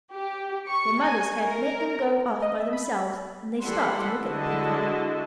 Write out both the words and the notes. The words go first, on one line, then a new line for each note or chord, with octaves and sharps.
Their mothers had let them go off by themselves, and they stopped to look at the Peacock.
G4
C#6
G#5
A#4
D#5
E5
B5
E3 G3 A4 F#5 B5 C6
D3 G#3 E4 F#4 D#5 A5